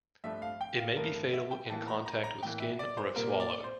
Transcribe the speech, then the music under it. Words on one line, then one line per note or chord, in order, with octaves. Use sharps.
It may be fatal in contact with skin or if swallowed.
G2 F3 A3 E5
F5
G5
F5
G2 F3 A3 A#4
E5
G5
A2 E3 A#3 A5
A#5
A#5
A#5
A2 E3 A#3 G5
E5
D5
C5
A#2 G3 A#3 A#4
D5
C5